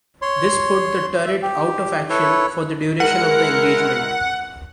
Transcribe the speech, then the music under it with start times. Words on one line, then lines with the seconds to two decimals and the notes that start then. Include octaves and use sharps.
This put the turret out of action for the duration of the engagement.
0.22 C#5 C6
1.25 E5
1.43 G4
2.10 E4 A4 B4 C#5
3.00 G#3 E4 A#4 F#5